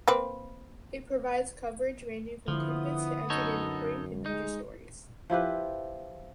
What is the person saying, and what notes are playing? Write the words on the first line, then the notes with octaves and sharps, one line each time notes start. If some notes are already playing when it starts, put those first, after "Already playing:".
It provides coverage ranging from tidbits to everyday reporting to major stories.
A#3 C4 B4
D3 F3 B3 E4 D#6
F#2 D#4 A4 C#5
G#3 D#4
F3 E4 G4 B4